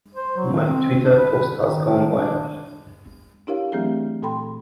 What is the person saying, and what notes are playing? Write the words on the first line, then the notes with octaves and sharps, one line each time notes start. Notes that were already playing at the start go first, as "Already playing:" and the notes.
My Twitter post has gone viral.
C5
F#3
D#3
C4
C4
D4
B4
D#3
D#3
D4
D4 E4 G4 A#4 C#5 F5
E3 F#3 A3 C4 G4 G#4
A#2 A4 G5 B5 C6